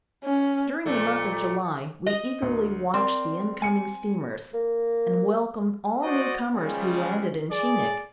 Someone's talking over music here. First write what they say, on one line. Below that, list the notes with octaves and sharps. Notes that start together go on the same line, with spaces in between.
During the month of July we eagerly watched the incoming steamers, and welcomed all new comers who landed in Chinik.
C#4
F2 A#2 A3
D#5
D2
C4 A#4 D5
G#5 C#7
A#3
F#4 C5 D5 D#5
C#3 F3 G3 G#3
G#4 D5